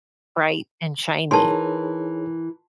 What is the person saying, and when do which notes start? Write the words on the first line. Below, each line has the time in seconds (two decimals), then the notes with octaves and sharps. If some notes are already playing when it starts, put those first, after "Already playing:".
bright and shiny.
1.31 E3 D#4 G#4 A#4 C#5 A5 C6